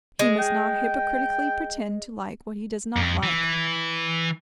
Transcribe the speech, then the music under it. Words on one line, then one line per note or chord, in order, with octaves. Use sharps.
He must not hypocritically pretend to like what he does not like.
G#3
G5
F2
E3